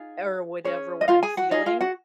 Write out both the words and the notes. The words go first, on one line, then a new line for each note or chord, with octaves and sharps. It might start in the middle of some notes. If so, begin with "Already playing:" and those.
or whatever when I'm feeling.
Already playing: D#4 F4 G#4
C#4 G#4 C#5
D#5
F4 F5
G#4 G#5
F#4 F#5
D#4 F4 G#4 D#5
F4 F5
F#4 F#5